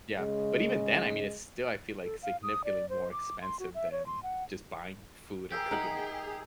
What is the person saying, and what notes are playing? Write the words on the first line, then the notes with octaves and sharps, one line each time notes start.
Yeah, but even then, I mean, it's still I feel like significantly more expensive than just buying food and cooking it.
C#3 G#3
A4
F5
D#6
D5
C5
D6
C6
F#4
E5
C#5
C6
F#5
G4 G#4 A#4 E5 G5
D#4 F#5